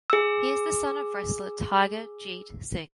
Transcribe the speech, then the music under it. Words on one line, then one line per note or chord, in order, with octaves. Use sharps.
He is the son of wrestler Tiger Jeet Singh.
G#4 E6